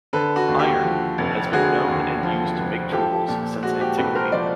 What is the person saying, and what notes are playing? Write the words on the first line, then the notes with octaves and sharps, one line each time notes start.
Iron has been known and used to make tools since antiquity.
D3 A4 B4
F#4
D#2
G4
F3
F1
D3 F#4 G#4
D#2
F3
F1
F3 G4 A4
A#2
G#3 F#4
G4
C2 A4 B4
A#4 C5
F3 C5 D5